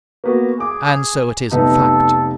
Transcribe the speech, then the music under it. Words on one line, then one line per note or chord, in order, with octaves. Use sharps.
And so it is in fact.
A#3 B3 F#4
G#4 D6
F1 B3 D#4 A4